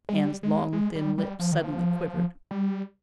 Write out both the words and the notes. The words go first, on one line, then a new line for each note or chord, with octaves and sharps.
Anne's long, thin lips suddenly quivered.
G#3
G3
G#3
G#3
G3
G3
F3
D#3
F3
G3